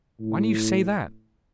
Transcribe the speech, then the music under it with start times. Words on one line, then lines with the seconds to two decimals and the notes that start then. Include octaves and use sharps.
"Why do you say that?"
0.20 A2